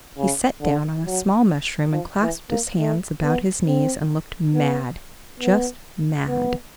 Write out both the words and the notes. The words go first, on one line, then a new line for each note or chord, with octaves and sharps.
He sat down on a small mushroom and clasped his hands about his knees and looked mad--just mad.
C#3
D3
F#3
F3
E3
A#3
A3
B3
C4
B3
B3
B3